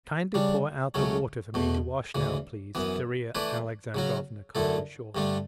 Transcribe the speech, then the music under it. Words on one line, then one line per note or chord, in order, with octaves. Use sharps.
"Kindly pour out the water for me to wash now, please," Darya Alexandrovna cut her short.
C#3 G3 D4
C#2 C#3 F#3 A3 C#4
E2 B2 A3
D2 C#3 E3
F#2 E3 B3
E3 A3 E4 B4 D5
C#3 F#3 C#4 F#4
F#2 D3 A3 E4 A4
G2 D3 A3 D4